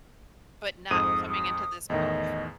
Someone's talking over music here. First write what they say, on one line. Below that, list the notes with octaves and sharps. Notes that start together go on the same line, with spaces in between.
But not coming into this move.
F2 G#2 D#6 D#7
D#6
E2 A2 D#3 D#5